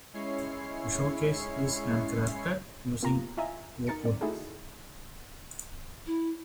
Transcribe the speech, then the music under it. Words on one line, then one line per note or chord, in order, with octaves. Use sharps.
The showcase is handcrafted using oak wood.
G#3 C#4 E4 C#5 C7
A#3 B3 F4 G4 A#5
E4 F4 D#5 E5 G#5 A#5
D#4 A#4 A6 C#7
C4 D5
A3 D#4 E4 F#4 G#4 A4
E4